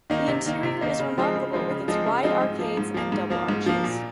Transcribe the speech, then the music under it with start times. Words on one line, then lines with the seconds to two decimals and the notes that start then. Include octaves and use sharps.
The interior is remarkable with its wide arcades and double arches.
0.10 D#3 A#3 D#4
0.28 C3
0.46 D#3 A#3 D#4
0.63 C3
0.81 D#3 A#3 D#4
0.99 C#3
1.18 F3 G#3 C4 D#4
1.35 C#3
1.53 F3 G#3 C4 D#4
1.70 C#3
1.88 F3 G#3 C4 D#4
2.06 C#3
2.23 F3 G#3 C4 D#4
2.41 G#2
2.59 F3 A#3
2.77 G#2
2.94 F3 A#3
3.12 G#2
3.30 F3 A#3
3.49 G#2
3.66 F3 A#3
3.84 A#2